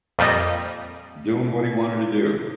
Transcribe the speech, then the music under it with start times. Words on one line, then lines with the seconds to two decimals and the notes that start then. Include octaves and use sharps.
Doing what he wanted to do.
0.19 F2 A#2 G3 D#5